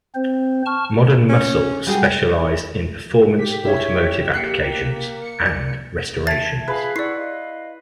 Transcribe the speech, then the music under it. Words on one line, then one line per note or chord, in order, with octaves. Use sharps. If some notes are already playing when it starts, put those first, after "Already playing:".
Modern Muscle specialized in performance automotive applications, and restorations.
C4 C5
A5 C#6 F6
C#4
G3 F#4 G#4
G4 B6
C#4 E4 C#5
A#3 F#6 C7 C#7
C#7
D5
E5 A5 G#6 A6 B6
F4 G#4 B4 F5
E4 D5 F#5 C#6 E6 C7
D#5 F5